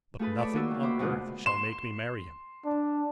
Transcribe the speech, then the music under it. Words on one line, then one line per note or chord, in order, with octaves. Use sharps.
But nothing on earth shall make me marry him.
A3 F4 G#4 A4 B4
C#5 D5 A5 B5 D6
A#3 F4 F#4 E6
D#3 A#3
C5 E5 B5 D6
D2 G#2 B2 F4 F#6
C6 E7
D4